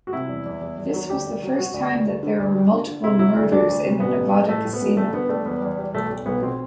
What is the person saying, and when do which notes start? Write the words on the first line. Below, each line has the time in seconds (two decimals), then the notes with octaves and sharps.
This was the first time that there were multiple murders in a Nevada casino.
0.07 F#4
0.13 C3 E4
0.29 E2
0.46 E2
0.61 E2
0.78 E2
0.94 F#3
1.10 D2 G4
1.26 D2
1.42 F#3
1.59 F#3 F#4
1.74 D2
1.91 D2
2.06 D2
2.23 D3
2.39 D2
2.55 G3
2.71 D3
2.87 D3
3.04 C3 E4
3.19 F#3 E4
3.36 D2 E4
3.52 D2 D4
3.68 D2
3.84 C3
4.00 A1 B3
4.16 A1
4.33 E3
4.48 A2 A3
4.65 A2
4.73 B3
4.81 A1
4.97 G3 A3
5.13 D3 B3
5.29 G3 A3
5.45 E2 B3
5.62 E2
5.78 G3
5.94 B1 A3
6.10 B1
6.26 B1 B3
6.42 B2 C4